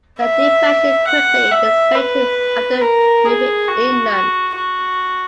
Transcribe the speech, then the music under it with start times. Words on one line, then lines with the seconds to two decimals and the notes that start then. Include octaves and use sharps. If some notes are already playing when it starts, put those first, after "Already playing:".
The depression quickly dissipated after moving inland.
0.20 E5
1.07 F#5
1.51 E5
1.95 B4
2.81 A#4
3.25 G#4
3.68 F#4
4.55 F#4